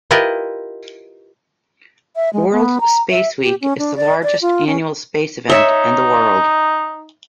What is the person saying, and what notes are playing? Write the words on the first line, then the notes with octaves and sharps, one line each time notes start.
World Space Week is the largest annual space event in the world.
E4 F4 G4 A#4 B4 D#5
E5
G#3
B3
A#5
E5
G4
C#4
D4
D5
D5
F4
C#4
D#4 C#5 E5